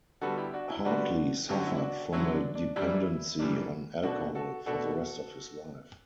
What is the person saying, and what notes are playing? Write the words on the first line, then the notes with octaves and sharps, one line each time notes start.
Hartley suffered from a dependency on alcohol for the rest of his life.
D3 G3 B3 F#4 A4
E4 G4
D4 F#4
E4
D3 G3 B3 D4 F#4
D3 F#3 C#4 G4
F#4
E4
D4 F#4
D3 F#3 C#4 E4
D4
D4
F#2 E3 G3 D4 E4
F#2 E3 G3 D4
B2 A3 D4 F#4
F#4 A4
B2 A3 D4 F#4 A4